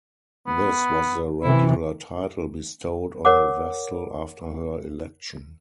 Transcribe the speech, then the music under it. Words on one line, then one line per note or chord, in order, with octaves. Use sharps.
This was the regular title bestowed on a Vestal after her election.
B3
C3 E3 E4
A#4 C#5 F#5 D6